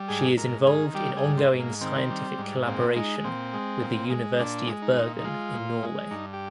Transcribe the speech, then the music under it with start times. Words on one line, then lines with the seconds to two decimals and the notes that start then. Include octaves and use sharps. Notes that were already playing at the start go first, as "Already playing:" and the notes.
She is involved in ongoing scientific collaboration with the University of Bergen in Norway.
Already playing: G3
0.08 G#2 G#4
0.37 G#2 A#4
0.66 D#3 G#4
0.95 G3 G4
1.17 G#4
1.24 G#2
1.38 C4
1.53 G#2
1.59 A#3
1.81 D#3 C4
2.10 G3
2.38 G#2
2.66 A#2 C4
2.96 G#3 D#4
3.25 A#2 C4
3.53 G#3
3.82 A#2
4.10 G#3
4.39 A#2 D4
4.67 G#3
4.82 D#4
4.96 A#2
5.19 D#4
5.25 G#3 F4
5.54 A#2
5.83 G#3
6.11 G2 D#4
6.33 G4